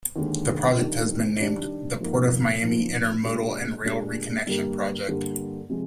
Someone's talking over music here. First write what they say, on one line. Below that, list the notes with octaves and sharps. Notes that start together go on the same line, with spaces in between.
The project has been named the "Port of Miami Intermodal and Rail Reconnection Project".
D#2 D3 G#3
D#3 G3 D4
D#3 G3 D4
G#2 F3 A#3
G#2 F3 A#3
A#2 G#3 D4 G4
A#2 G#3 D4 G4
G2 D3 G3 A#3
G2 D3 G3 A#3
C3 F3 G#3